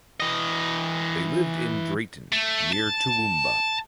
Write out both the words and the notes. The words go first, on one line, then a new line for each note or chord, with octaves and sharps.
They lived in Drayton near Toowoomba.
E3 D#5
A3
A5